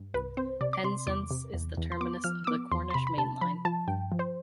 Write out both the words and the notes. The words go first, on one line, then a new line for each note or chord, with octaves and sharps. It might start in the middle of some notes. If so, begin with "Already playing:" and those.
Penzance is the terminus of the Cornish Main Line.
Already playing: G2
C2 B4
C4 C5
C3 D5
D6
C3 C6
E2 D6
C3
E2
E2
C6
B3 D6
F3 F6
E6
B3 D6
E2 C6
C6
C3 B5
B5
C3 A5
F3 B5
F3 A5
G2 G5
F3
C5